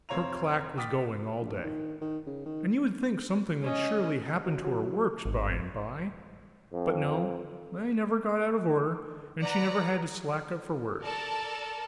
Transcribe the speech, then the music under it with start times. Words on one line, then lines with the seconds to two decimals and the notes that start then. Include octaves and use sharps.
Her clack was going all day, and you would think something would surely happen to her works, by and by; but no, they never got out of order; and she never had to slack up for words.
0.09 F1 C4 C#5 F5 A#5 F7
0.77 G5 D6 D#6 F6 A6 B6
1.41 A#1
1.64 D#3
2.01 D#3
2.26 C#3
2.46 D#3
3.62 C#4 D#5
4.46 F#3
4.64 F#3
5.25 G#1
6.73 F2
9.43 B4 D5 F#5 A#5
11.03 A4 A#4 D5 A5